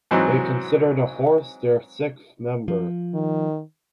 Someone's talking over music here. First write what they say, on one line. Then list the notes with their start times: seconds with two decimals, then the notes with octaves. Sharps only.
They consider the horse their sixth member.
0.11 G#2 E3 F#3 C4 D#4
2.68 F3
3.14 D#3